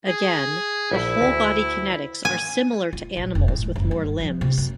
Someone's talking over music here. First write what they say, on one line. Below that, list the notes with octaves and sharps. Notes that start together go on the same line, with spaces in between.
Again, the whole-body kinetics are similar to animals with more limbs.
G#4
A#1 E4
D2
G#5
F4
A#1
F1
A2
G#3
F#1
G2
F3
C3
F#2